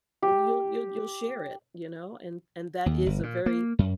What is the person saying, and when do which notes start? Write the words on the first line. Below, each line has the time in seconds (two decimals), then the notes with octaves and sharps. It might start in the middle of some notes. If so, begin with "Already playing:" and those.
And you'll you'll you'll share it, you know? And and that is a very
0.22 G4
2.86 D#2
3.06 G1
3.23 A#2
3.46 A#3
3.79 F#2